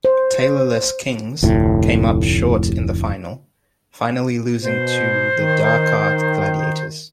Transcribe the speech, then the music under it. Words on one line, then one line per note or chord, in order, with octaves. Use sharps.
Taylor-less Kings came up short in the final, finally losing to the Dhaka Gladiators.
C5
F1 D2 A2
B2 C5
D#3